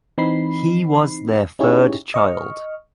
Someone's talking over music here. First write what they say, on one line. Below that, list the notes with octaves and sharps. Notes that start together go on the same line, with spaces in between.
He was their third child.
E3 C4 D#4 B5 C7
C#4 D#4 E4 G4 G#4 C#5
D#5 C#6 F6